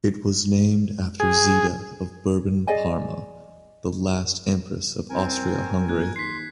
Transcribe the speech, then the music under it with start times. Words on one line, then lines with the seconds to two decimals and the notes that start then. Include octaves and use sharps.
It was named after Zita of Bourbon-Parma, the last empress of Austria-Hungary.
1.20 G#4
2.67 G#4 D5 D#5 G#5
5.10 C2 C4 A#4 G#5
5.89 A#2 F#6 G#6
6.16 D#2 C6 B6 C7